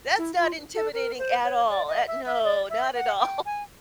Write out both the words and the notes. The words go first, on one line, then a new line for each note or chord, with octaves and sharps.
That's not intimidating at all. At no. Not at all.
E4
F4
A4
A#4
C5
C#5
D5
D#5
E5
E5
D5
E5
F#5
G5
G#5